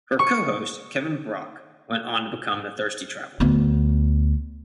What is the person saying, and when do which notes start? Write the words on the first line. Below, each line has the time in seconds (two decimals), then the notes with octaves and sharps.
Her co-host, Kevin Brauch, went on to become "The Thirsty Traveler".
0.19 C#6
3.40 D2 B3